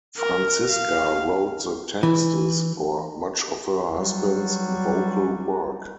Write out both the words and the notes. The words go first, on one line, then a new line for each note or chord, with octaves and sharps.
Franziska wrote the texts for much of her husband's vocal work.
A#4
F5
E3
F#3 G3